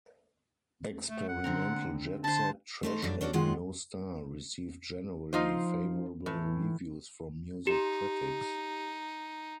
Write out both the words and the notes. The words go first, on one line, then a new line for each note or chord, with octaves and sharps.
"Experimental Jet Set, Trash and No Star" received generally favorable reviews from music critics.
A3
F#5
D3 C4 A#4
D3 C5 A5
A3 D#4 C5
F#2 F3 D4 D5
C#4 D4 F#4 C#5 D5
F#2 D#3 G#3 F4 F#5
F3 D#4 F4 C5
A2 E3
D#4 G4